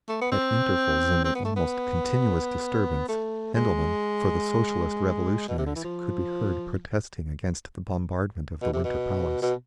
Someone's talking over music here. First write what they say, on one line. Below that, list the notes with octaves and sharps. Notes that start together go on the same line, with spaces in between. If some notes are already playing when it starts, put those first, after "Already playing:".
At intervals in the almost continuous disturbance Hendelman, for the Socialist Revolutionaries, could be heard protesting against the bombardment of the Winter Palace....
A3
B3
C4
C4
B3
A3
B3
A3
G#3
B2
C3
D3
E3
F3
B2
C3
B2
B2